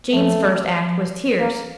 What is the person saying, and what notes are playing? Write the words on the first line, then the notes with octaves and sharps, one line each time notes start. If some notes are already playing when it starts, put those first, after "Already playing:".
Jane's first act was tears.
F3 A3
F3
A#3